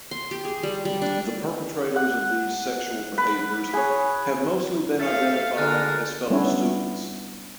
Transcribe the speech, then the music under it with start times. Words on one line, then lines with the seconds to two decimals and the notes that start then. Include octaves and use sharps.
The perpetrators of these sexual behaviors have mostly been identified as fellow students.
0.11 C6
0.31 G4
0.45 G#4
0.63 G3
0.85 G3
1.02 D4
1.96 F#5
3.18 B4
3.73 G#4 C#5
4.99 A3 F5 A6 C#7
5.57 D3 G#3 A#4 F6 F#6 A6
6.30 G3 B3 C#4 D4 E4 C#5